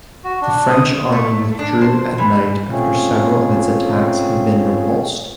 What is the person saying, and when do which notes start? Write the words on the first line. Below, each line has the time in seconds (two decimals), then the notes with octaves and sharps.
The French army withdrew at night after several of its attacks had been repulsed.
0.24 F#4
0.41 D4
0.70 D#6
1.12 A3
1.59 D4
1.81 C5
2.18 E3
2.71 A3 C4 C#4 F4 G#4